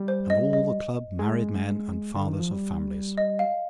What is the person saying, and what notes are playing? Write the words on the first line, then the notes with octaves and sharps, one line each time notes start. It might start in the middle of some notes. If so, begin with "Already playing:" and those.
And all the Club married men and fathers of families.
Already playing: G3
C5
D#5
D#5
G#3
D3
D#3
F3
G3
D#5
F5